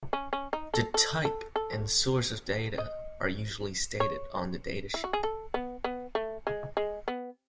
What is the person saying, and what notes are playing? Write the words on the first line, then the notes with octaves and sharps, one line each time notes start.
The type and source of data are usually stated on the datasheet.
C#4
C#4
D#4
A4
A4
A4
A4
D#5
C#5
E4
F#4
G#4
A4
B3
B3
A3
G#3
G#3
B3